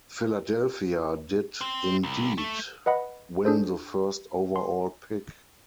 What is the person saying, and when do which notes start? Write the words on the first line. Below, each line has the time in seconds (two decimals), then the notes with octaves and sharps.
Philadelphia did indeed win the first overall pick.
1.61 C4
2.03 C2
2.38 A3
2.86 B4 D#5 F#5 B5
3.45 D4 G#4 A4 C5
4.56 C6